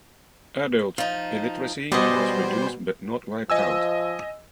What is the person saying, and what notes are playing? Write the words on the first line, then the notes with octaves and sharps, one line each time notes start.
Adult illiteracy was reduced but not wiped out.
F3 D#4
B2 G3 B3 C5 D5 D#5 G#5
F3 D#5 G#5 E6